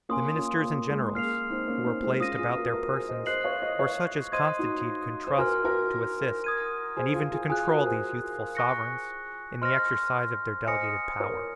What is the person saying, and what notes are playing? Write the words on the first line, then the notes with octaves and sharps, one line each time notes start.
The ministers and generals, who were placed about their persons, were such as Constantine could trust to assist, and even to control, these youthful sovereigns in the exercise of their delegated power.
A#3 C#4 G#5 C6 D#6
C#4 F4
A#3
G#3
A#3 F6 C7 F7
C4 D#4
A#3 C#4
C4 D#4
G#3 C4
C#4 F4 D#6 A#6 D#7
F4 G#4
F#4 A#4
F#4 A#4
G#4 C5
C5 D#5
C5 D#5 F#6 C7 F#7
C#5 F5
C5 D#5
C#5 F5
C5 D#5 C6 D#6 G#6 D#7
D#4 F#4
C5
F#4 A#4 G#5 C6 F6
F#4 A#4
D#6 G#6 D#7
G#4 C5
F4 G#4
F4 G#4
F4 G#4 G#5 D#6 F#6
F#4 A#4
G#4 C5
G#5 C#6 F#6 A#6 C#7
C5 D#5 C6 F6 A#6
C5 D#5 G#5 D#6 A#6 C#7
A#4 C#5